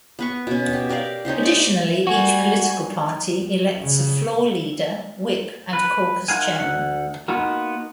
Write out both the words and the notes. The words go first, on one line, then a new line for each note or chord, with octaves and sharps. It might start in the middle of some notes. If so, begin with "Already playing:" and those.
Additionally, each political party elects a floor leader, whip, and caucus chairman.
B3 B4 C#6
B2 C#4
G4
G4 A#4 D5 F5
C#4 D#4 G4 C5
D5
G3 F#4 G#5
C#3
B4
D#4 F4 A#4 F5 F#5 G#5
D2 G2 F#5
A#3 B3 D#4 F4 F#4 A#4